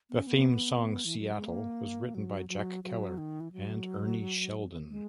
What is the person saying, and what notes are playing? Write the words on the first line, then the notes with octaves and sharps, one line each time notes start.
The theme song "Seattle" was written by Jack Keller and Ernie Sheldon.
B3
C#4
B3
E3
F#3
G#3
A#3
F#3
F#3
F#3
D#3
E3
F#3
G#3